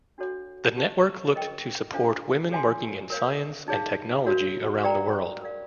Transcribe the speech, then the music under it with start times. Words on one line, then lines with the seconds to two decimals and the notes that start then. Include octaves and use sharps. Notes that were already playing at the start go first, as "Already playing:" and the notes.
The network looked to support women working in science and technology around the world.
0.18 D4 F#4 A4 C#5 F#5
0.76 G4 C5 F5 A5 C#6
1.35 A#4 D#5 G5
1.93 D4 F4 A4 C5 F5
2.51 A4 C#5 F5 G#5 C6
3.10 A#4 C#5 F5
3.68 D#4 G#4 C#5 F5
4.26 F#4 A#4 C#5 F5
4.84 A#4 D5 G5 A#5
5.42 A#4 D5 F5